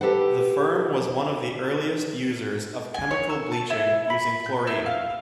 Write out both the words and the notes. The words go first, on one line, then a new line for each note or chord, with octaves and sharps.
The firm was one of the earliest users of chemical bleaching using chlorine.
G4 A4 B4 C5 F#5
G#5
C#5
E6
A5
E4
B5
G6
E4
F5